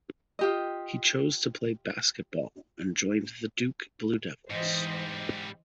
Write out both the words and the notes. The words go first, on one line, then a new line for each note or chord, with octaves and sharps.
He chose to play basketball and joined the Duke Blue Devils.
F4 G4 D#5
G#2 E3 G3 C5 D#5